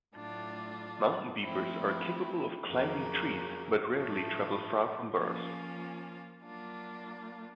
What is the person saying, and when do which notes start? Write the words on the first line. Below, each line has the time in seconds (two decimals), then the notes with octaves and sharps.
Mountain beavers are capable of climbing trees, but rarely travel far from burrows.
0.16 A2 F#3 A3 D4 F4
1.42 F3 A3 C4 E4
2.67 F2 C#3 F#3 A#3
3.93 A2 F3 A3
5.18 F3 A#3 C#4 F4
6.44 F#3 A#3 D4 F4